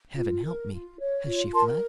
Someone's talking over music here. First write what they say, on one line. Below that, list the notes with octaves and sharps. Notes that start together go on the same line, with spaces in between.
Heaven help me! has she fled?
F4
A#4
F4
C#5
F4
A#4 A5 C6